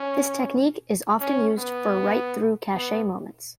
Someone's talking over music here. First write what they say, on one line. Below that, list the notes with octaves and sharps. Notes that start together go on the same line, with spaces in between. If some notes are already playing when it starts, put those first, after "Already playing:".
This technique is often used for write-through cache memories.
Already playing: C#4
C#4
B3
B3